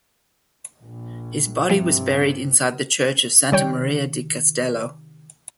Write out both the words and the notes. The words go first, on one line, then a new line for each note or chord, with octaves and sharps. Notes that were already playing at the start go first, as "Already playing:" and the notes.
His body was buried inside the church of Santa Maria di Castello.
A#1
B1 G2 C3 F3 G3
C3 D#3 G3 C#5 G5